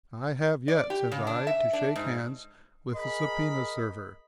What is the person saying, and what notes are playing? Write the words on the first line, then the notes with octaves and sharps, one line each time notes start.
I have yet,' says I, 'to shake hands with a subpoena server.'
D5
G4
C#3
D4
E5
D4
G#2
G#4 A#4 D#5 B5